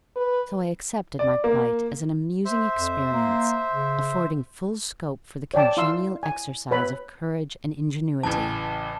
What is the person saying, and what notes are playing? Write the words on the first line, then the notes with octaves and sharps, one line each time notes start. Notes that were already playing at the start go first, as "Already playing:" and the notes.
So I accepted my plight as an amusing experience, affording full scope for the congenial exercise of courage and ingenuity.
B4
D5
A#3
C5 E5
F2
A#3
C#3
C#5 D5 G5 A5 D6
E4 F5 C6 E6
G#5
B4 C#5 B5
A1 C#3 E3 A5